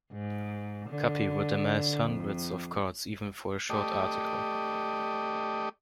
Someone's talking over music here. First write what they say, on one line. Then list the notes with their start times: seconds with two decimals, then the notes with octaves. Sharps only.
Cuppy would amass hundreds of cards even for a short article.
0.12 G#2
0.89 D3
2.04 F2
3.70 A3 G4 D5 D#5